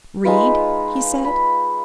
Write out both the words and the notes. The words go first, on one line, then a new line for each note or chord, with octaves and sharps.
"Read?" he said.
G#3 D#4 F4 B4
B5